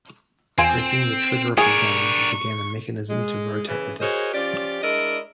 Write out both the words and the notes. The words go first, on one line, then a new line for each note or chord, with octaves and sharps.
Pressing the trigger of the gun began a mechanism to rotate the discs.
E2 C4 F4 G#5
D4 G#4 A#4 C#6
G#3
C#3 E3
F#4 G#4 A#4 C5 C#5 D#5
F3 C#4 F4 G4 D5
G#3 D4 E4 A#4 D5 D#5